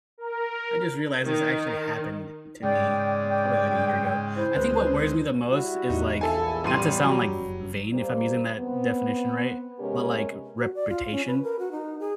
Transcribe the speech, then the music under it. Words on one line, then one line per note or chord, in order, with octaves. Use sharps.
I just realized this actually happened to me probably, like, a year ago. I think what worries me the most is, like- not to sound, like, v vain, if I'm using that definition right- but, like r reputation.
A#4
D#3
G#2 C#3 G#3 D5 G5
G5
E4 C5
D2 G#3 C4 B4
G3 E4 F#4
E2 D#4
A#1 E4 A4 G#5
A1 G3 C6 D#7
F#3
F#1
G3 A#3 C5
B3 C4
C3 G#3 B3 C#4 G4 A#4
F#4
D5
F4
C#4
B4
A#4
F#4
D#4
G#4